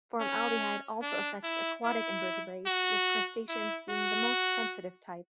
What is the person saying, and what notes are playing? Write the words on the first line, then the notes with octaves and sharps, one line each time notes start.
Formaldehyde also affects aquatic invertebrates, with crustaceans being the most sensitive type.
C#4
D4
E4
E4
F#4
E4
F#4